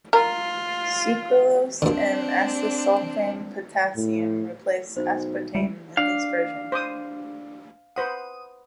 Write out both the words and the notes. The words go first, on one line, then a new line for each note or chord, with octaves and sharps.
Sucralose and acesulfame potassium replace aspartame in this version.
F4 A#4
A#2 D3 C4 D4
A2
B1 C5
C#2 G3 E5
D4 F5
C5 D6 D#6
B4 C5 F#5 D#6